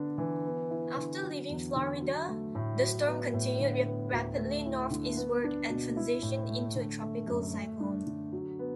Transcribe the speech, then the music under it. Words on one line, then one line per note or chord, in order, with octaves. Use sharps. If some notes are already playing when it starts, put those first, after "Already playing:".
After leaving Florida, the storm continued rapidly northeastward and transitioned into a tropical cyclone.
Already playing: D3 B3 D4
E3
B3
E4
D3
F#3
E2
D3
F#3
A3
A2
F#3
B3
A2
D3
B3
D2
A3
E4
D3
B3
D4
B2
E4
A2
A3
D3
A3
F#2
A3
D4
D3
F#3
B3